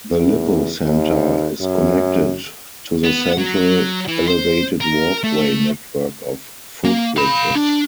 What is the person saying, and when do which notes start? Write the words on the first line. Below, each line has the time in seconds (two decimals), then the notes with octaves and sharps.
The Lippo Centre is connected to the Central Elevated Walkway network of footbridges.
0.17 E2
0.85 D#2
1.60 F#2
3.04 B3
3.38 F#3
4.08 E3
4.27 C5
4.81 A#4
5.24 A3
6.85 A#3
7.17 F5 B5
7.55 D4